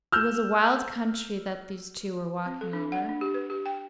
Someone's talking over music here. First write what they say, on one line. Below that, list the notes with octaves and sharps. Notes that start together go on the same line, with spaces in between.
It was a wild country that these two were walking over.
E6 F6 G6
C4
A4
D4
F#5
D4
G4
B4
G4
G5